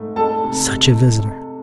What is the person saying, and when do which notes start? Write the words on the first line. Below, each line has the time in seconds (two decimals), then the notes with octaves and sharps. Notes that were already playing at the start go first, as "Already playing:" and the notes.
Such a visitor!
Already playing: G#2 A3
0.16 G#3 A4 A5
0.43 C3